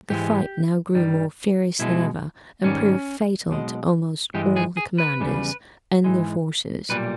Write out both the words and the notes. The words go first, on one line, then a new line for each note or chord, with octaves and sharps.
The fight now grew more furious than ever, and proved fatal to almost all the commanders and their forces....
G#2 E3 G#3 G4
G2 D#3 G3
B1 B2 G#3 E4
G#2 D#3 G3 C#4
B1 B2 G#3
G2 E3 G#3 G4
G#4
G#4
B4
E2 C#3 G3
G#2 E3 G#3
B1 A#2 G3 B4